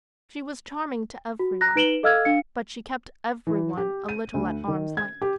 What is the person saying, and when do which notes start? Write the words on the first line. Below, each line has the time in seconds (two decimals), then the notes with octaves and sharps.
She was charming to every one, but she kept every one a little at arm's length.
1.39 F#4
1.61 A#5 F#6 A#6
1.76 D#4 B4 D7 E7 F#7 G7
2.03 A4 D#5 F5 E6 F6 G#6
2.25 D4 F5 C#7
3.47 E3
3.78 G4
4.09 D#7
4.34 D2
4.68 D#3
4.97 G#6
5.22 G4